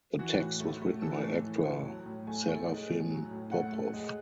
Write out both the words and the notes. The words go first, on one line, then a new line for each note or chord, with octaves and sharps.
The text was written by actor Serafim Popov.
E3 F#4
A2
A3
A3
E3 A4
A2
E3
A2
F#3
A2
A3 G#5
A3
G#3
A2
F#3
A2
A3 F#5
A3
G#3